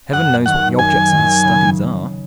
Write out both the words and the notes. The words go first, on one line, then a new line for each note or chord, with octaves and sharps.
Heaven knows what the objects of his studies are.
F#2 F#5
D#3 F#3 F#5
F#2 G#5
D#3 F#3
C#3